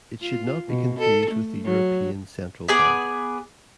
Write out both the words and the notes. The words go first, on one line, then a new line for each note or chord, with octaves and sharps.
It should not be confused with the European Central Bank.
F4
B2
A4
A3
F#3
B3 G#4 D5